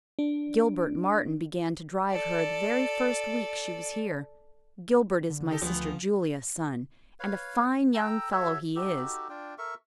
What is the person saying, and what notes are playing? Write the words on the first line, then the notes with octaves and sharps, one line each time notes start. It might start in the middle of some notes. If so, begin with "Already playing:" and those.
Gilbert Martin began to drive her the very first week she was here. Gilbert is my sister Julia's son, and a fine young fellow he is.
D4
A4 D5
D3
D#4 G4 A4
D2 E3 F3 B3
B4 C#5 F5
A4 G5 A#5 E6
F#4 A4 C#5 E5
D#4 F#4 G4 A4
D4 F4 G5
A4 A#4 E5 C#6